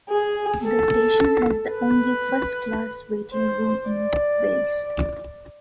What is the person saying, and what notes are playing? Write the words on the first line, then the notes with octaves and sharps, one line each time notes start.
The station has the only First Class waiting room in Wales.
G#4
A4
B4
C5
D5